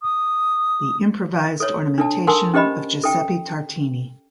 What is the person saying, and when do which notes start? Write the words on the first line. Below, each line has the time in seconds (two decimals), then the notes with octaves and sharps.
The Improvised Ornamentation of Giuseppe Tartini.
0.01 D#6
1.60 A4 C#5
1.98 D4 A4 A5
2.27 A4 A#4 F#5 G#5 A5 C6
2.54 C#4 G4 C5 D#5 B5
3.04 A4 G5